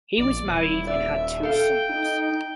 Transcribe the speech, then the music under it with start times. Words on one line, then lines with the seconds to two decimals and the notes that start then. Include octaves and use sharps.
He was married and had two sons.
0.18 A#1 D5
0.50 D#1 E4
0.87 D5 E5
1.43 A4 F5 G5
1.89 D#4